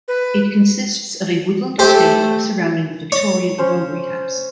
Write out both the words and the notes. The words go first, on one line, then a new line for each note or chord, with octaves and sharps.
It consists of a woodland estate surrounding the Victorian Vogrie House.
B4
A3 G4 C5
C#5
C#4 C5